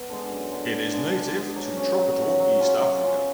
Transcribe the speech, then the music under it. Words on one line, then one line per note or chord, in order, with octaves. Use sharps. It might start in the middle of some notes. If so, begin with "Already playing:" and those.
It is native to tropical East Africa.
Already playing: B3
D3 G#3
F#2
D3 G#3
D3
G#3 D4 G#4
D3
G#3 D4 G#4
F#3
C#4 F#4
F#3
C#4 F#4
F#3
C#4 F4
F#3
C#4 F4